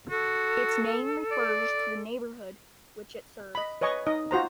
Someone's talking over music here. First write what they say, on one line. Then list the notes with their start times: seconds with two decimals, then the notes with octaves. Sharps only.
Its name refers to the neighborhood which it serves.
0.10 F#4 A4
1.31 D5
3.55 D#5 B5
3.81 B4 C#5 D#5 G#5 C#6
4.07 D#4 D#5
4.31 F4 F#4 C5 A#5